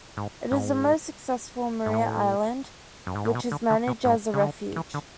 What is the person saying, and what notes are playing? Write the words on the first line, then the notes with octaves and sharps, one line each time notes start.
It is most successful on Maria Island, which is managed as a refuge.
G#2
G#2
G#2
A2
F#2
G#2
A2
B2
D3
D3
B2
G#2
C#3
D3
E3
D3